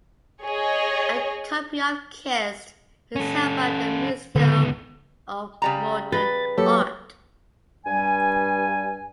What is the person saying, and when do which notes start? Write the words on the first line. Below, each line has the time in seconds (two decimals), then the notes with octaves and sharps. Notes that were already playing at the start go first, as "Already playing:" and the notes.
A copy of "Kissed" is held by the Museum Of Modern Art.
0.43 G#4 C#5 D#5
3.16 C#4 A4
4.36 C#2 D3 B3
5.62 C#3 G3 A#5
6.12 B4 A6
6.58 F#3 A#3 G4 A4 C#5
7.85 G2 G3 G#5